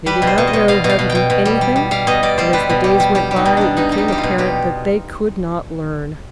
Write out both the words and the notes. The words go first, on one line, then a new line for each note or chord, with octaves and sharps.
They did not know how to do anything, and as the days went by it became apparent that they could not learn.
G3 B4
B2
C5
B2
D#5
B2
B2 F5
B2
F5
B2
G5
B2
B2
G3
G3
G3
G3 F5
B2 D#5
B2 D5
G3 C5
G3 B4
B2
G3 G4
G3
G3 G4
G3
D#4
B2
G3 D4
B2 D#4
G3
D#4
G3 G4
F4
B2
B2 G4